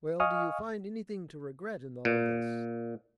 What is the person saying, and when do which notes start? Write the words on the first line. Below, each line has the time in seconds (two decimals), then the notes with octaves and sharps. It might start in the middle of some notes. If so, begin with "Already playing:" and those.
"Well, do you find anything to regret in all this?"
0.20 D#5 F5 G#5 C#6 D#6 F6
2.05 A#2